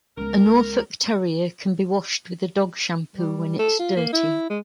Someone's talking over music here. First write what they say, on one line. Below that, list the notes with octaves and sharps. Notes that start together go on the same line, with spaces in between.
A Norfolk Terrier can be washed with a dog shampoo when it's dirty.
C#2 B3 A#4
G3
A4
F4
A#3
E4
G#3